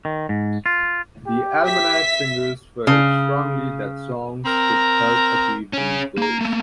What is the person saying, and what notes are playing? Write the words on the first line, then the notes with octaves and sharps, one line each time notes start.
The Almanac Singers felt strongly that songs could help achieve these goals.
D#3
G#2
F4
G4
E5 B6
C#3
C4 A#4 A#5
C#4 G#4
A#3 A#5
A3 A#3